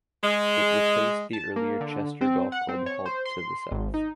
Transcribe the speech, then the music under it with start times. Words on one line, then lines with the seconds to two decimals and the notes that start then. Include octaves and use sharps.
It replaced the earlier Chester Golf Club Halt to the south.
0.24 G#3
1.33 A5
1.56 A#3
1.81 D3
2.21 C4
2.52 F#5
2.69 C4
2.86 C#5
3.06 C5
3.25 C6
3.71 G#1
3.94 D#4